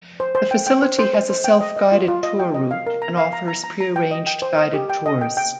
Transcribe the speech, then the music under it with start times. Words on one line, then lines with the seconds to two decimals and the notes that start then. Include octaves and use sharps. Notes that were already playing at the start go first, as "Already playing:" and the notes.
The facility has a self-guided tour route and offers pre-arranged guided tours.
0.20 C5
0.35 C5
0.51 G5
0.67 G5
0.82 C5
0.99 C5
1.13 C5
1.30 C5
1.44 G5
1.61 D#5
1.76 D#5
1.92 F4
2.08 F4
2.23 D#5
2.40 G5
2.54 D#5
2.71 F5
2.86 A#4
3.02 A#5
3.17 F5
3.33 A#5
3.48 A#5
3.64 A#5
3.80 A#5
3.96 G5
4.11 D#5
4.27 G5
4.42 C5
4.58 D#5
4.74 G4
4.90 G5
5.06 D#5
5.21 G5
5.37 G5